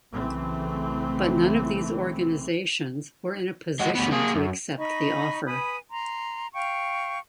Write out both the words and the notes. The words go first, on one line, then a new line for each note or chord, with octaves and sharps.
But none of these organizations were in a position to accept the offer.
B1 C#3 E3 A3 C4
G#3 F#4
D2 B3
A#3 G#4
F#2
D#4 D#5 B5 C#6
B4 G#5 B5 D#6
A#5 C6
F5 G5 C#6